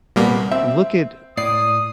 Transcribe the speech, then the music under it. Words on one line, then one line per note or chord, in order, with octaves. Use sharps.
Look at
C2 A#2 G3 A#3 B3 F6
C4 E5
A2 D5 D#6 C7